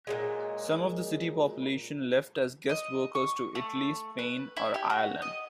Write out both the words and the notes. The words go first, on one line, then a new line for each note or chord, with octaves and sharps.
Some of the city population left as guest workers to Italy, Spain, or Ireland.
A#2 F#3 G#3
D#5
C#6
A3
B4
E4
G4
F#4
D#5